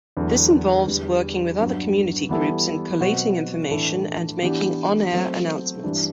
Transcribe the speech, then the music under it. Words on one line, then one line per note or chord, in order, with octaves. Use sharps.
This involves working with other community groups in collating information and making on-air announcements.
E2 D3 F#3 A3
E2 D3 G3
G2 F#3 B3 D4
E3 G3 B3 E4 A4
B2 F#3 C4 F#4
A2 E3 A3 D4 A4
E3 B3 D4 G4
F#3 A3 C4
G2 E3 G3 D4